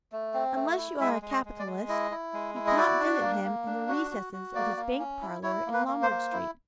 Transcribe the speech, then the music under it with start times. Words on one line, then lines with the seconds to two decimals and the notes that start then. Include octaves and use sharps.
Unless you are a capitalist, you cannot visit him in the recesses of his bank parlour in Lombard Street.
0.12 A3
0.34 C4
0.56 A3
0.78 E4
1.00 G#3 E5
1.22 G#3
1.30 D#5
1.45 G#3
1.59 D5
1.66 G#3
1.89 E4 D#5
2.11 E4
2.33 G#3
2.55 E4
2.67 D#5
2.77 F#4 D5
3.00 D4
3.21 A#3
3.44 A#3
3.67 D4
3.88 F#4
4.11 F#4
4.33 F#4
4.55 A#3 D5
4.77 A#3
4.99 C#4
5.22 E4
5.43 E4 C#5
5.66 A#3
5.73 B4
5.88 A#3
6.03 C5
6.10 A#3
6.32 E4